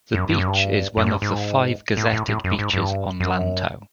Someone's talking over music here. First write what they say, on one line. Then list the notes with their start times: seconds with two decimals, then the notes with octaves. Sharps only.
The beach is one of the five gazetted beaches on Lantau.
0.14 F#2
0.30 G2
0.39 F#2
0.47 G2
0.97 F#2
1.06 G2
1.22 G#2
1.97 A2
2.13 A2
2.28 A2
2.44 F#2
2.59 G#2
2.74 G2
3.20 F#2